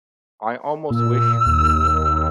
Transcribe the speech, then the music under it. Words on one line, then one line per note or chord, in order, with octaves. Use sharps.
I almost wish,
A#2 E6
D#2